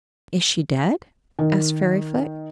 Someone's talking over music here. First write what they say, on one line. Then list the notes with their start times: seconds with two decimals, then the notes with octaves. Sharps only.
"Is she dead?" asked Fairyfoot.
1.39 D#3